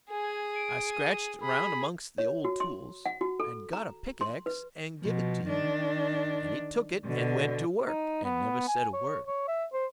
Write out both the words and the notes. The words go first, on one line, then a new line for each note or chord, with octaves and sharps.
I scratched around amongst the old tools, and got a pickaxe and give it to him, and he took it and went to work, and never said a word.
G#4 G#5
D7
D#7
G#4 B5
C#5
F#4
C6
F#5
F#4
A4
A#5
C6
B4
B2 F3
D#3 D4
B2 D3
D#4
B3
G#5
C#5
C#5
E5
C5